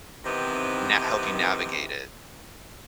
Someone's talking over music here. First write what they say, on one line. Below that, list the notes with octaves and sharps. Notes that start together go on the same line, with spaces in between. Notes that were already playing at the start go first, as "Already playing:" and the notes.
na help you navigate it.
C3 D#3 E3 B3 C4 D#4